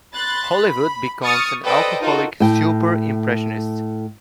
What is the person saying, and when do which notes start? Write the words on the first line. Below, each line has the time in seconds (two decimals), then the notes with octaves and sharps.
Hollywood becomes an alcoholic 'super-impressionist'.
0.12 B5 C6 F#6 A6
0.67 B5
1.23 C#6 D#6 F6 A6 C#7
1.64 A4 B4 C5 D5 D#5 G5
2.01 D#4 F4 F#4 A4 A#4
2.40 A2 G5